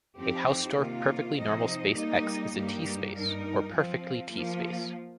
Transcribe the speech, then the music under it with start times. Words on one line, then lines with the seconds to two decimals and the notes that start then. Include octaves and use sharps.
A Hausdorff perfectly normal space "X" is a T space, or perfectly T space.
0.17 F2 F3 C4 D#4 G4
0.76 C3 D#3 A#3 F4
1.36 C3 F3 D#4 C5 D#5
1.95 G3 A#3 D#4 G4 D#5
2.55 G2 G3 A#3 D#4 G4
3.14 G2 G3 D#4 A#4
3.73 F3 C4 F4
4.32 F3 A#3 F4